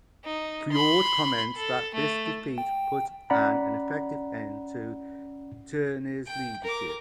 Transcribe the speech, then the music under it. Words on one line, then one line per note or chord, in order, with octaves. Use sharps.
Foord comments that "this defeat put an effective end to Tierney's leadership".
D#4
B5 C6
A4
A3
G5
C#4 D5 F#5 A#5 B5
G5
A#4 D6